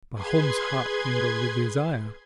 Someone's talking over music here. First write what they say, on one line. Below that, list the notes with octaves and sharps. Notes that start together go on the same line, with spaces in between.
Pahom's heart kindled with desire.
G#4 B4 C6 G#6